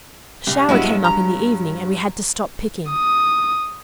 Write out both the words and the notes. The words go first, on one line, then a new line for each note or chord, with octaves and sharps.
A shower came up in the evening and we had to stop picking.
C2
G2 F#3 G#3 B3 E4
A#5
D#6